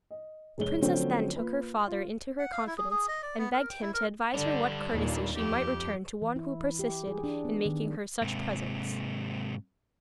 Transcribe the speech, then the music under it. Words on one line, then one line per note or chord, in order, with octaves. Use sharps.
The princess then took her father into her confidence, and begged him to advise her what courtesy she might return to one who persisted in making her such presents.
D#5
F1 G#3 C#5 G7
D3 F3 F#3 A3 C4 C#4
A#3 F4 B4
F4
F#5
F5
E4
G#4
G#4
D#5
D5
B3
A#4
G5
E4
A#4
D3 G3 D4
D#2 A#2
F2 G4
E3
E4
G4
G#4
D4
B3
D#3
G#2 C3